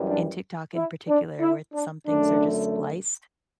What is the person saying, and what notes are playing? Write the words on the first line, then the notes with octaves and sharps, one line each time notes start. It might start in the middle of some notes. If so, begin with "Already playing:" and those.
in TikTok in particular, where some things are just spliced,
Already playing: F#2 E3 G3
D4
E4
D4
E4
D4
F#2 D3 A3 D4